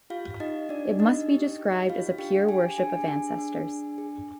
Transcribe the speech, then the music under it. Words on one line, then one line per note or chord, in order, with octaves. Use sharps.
It must be described as a pure worship of ancestors.
F4 G4 F5
D#4 G4 D#5
D4 D5
D4 D#4 D#5
G4
G4
F4 G4 F5
D4 G4 G5
G4 G#4 G#5
D4 G#4 G#5
D4
D4
D4
G#4